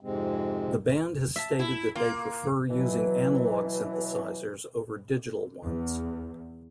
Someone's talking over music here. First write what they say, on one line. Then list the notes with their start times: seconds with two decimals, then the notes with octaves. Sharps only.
The band has stated that they prefer using analogue synthesizers over digital ones.
0.01 F2 G#2 C3 G#3 C4
1.36 E5 A5
1.59 E4
1.95 A#3 F4
2.69 B2 E3 F#3
5.65 E2